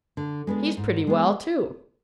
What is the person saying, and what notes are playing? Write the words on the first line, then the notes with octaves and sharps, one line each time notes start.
He's pretty well, too.'
D3
G#3 B3 D4
G#2
G#3 B3